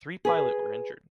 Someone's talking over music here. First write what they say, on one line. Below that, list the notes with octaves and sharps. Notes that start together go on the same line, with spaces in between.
Three pilot were injured.
G#4 B4